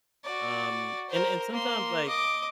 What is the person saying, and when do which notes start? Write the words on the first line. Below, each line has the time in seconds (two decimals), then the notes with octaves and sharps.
Um, and and sometimes, like,
0.25 F#4 D5
1.10 A#4 C5
1.52 A#3 C6
2.08 D#5 D6